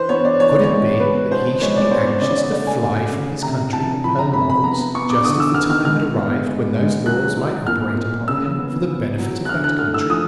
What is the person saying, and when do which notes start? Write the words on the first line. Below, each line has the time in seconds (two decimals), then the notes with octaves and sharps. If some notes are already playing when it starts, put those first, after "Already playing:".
Could it be that he should be anxious to fly from his country and her laws, just as the time had arrived when those laws might operate upon him for the benefit of that country?
Already playing: E3 B4 C5
0.09 B3 C#5
0.25 D5
0.40 E3 C#5
0.51 D5
0.63 C#5
0.70 G#3
1.00 B3 B4
1.31 B2 C5
1.61 G#3 C#5
1.76 D5
1.91 B3 C5
2.06 C#5
2.21 C#3 D5
2.37 D5
2.52 A3 D5
2.67 G#5
2.82 A3
3.12 C#3
3.43 C3 A#5
3.73 C3 A5
4.03 F3 B5
4.19 A#5
4.33 C3 B5
4.50 B5
4.64 B3 A#5
4.94 B3 C#6
5.10 D6
5.24 D3 D#6
5.40 E6
5.54 B3 F6
5.70 F6
5.85 G#3 F6
6.16 B3
6.46 G#3
6.76 G#3
7.06 F#3 F#6
7.37 F#3
7.67 A#2 F6
7.97 A#2
8.28 C#3 E6
8.58 B3
8.88 B3
9.18 F#3
9.45 F#6
9.49 D3 F6
9.64 F#6
9.79 A3 F6
9.94 E6
10.09 F3 D#6